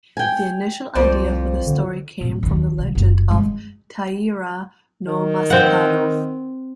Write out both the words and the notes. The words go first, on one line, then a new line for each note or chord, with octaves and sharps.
The initial idea for the story came from the legend of Taira no Masakado.
G5 G#5
C2 F2 C5 D5
D3
D1
D#2 D4
C2
F#1 F4
G#3
D#3
C4 F#5